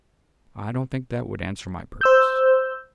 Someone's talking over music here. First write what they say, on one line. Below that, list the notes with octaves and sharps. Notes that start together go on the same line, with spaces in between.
'I don't think that would answer my purpose.
C5 E6 G6